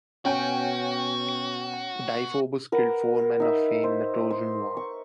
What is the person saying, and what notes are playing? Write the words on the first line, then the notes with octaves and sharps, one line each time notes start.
Deiphobus killed four men of fame in the Trojan War.
B2 C#4 F#4 G5 G#5
A#4 B4 F#5
D#4 E5
C5
C6
C#6